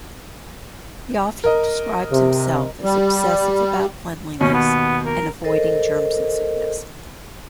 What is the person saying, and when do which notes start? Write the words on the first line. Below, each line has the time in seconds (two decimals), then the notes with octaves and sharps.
He often describes himself as obsessive about cleanliness, and avoiding germs and sickness.
1.44 A#4 D#5
2.12 C3
2.82 G3
4.41 D#2 B2 C#4
4.54 B3
5.06 A#4
5.44 A4 A#4 C5 D#5